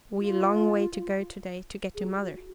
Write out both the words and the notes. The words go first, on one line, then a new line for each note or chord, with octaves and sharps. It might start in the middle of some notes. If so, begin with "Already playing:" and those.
"We long way to go to-day to get to Mother."
F4
G#4
F#4
F4
F#4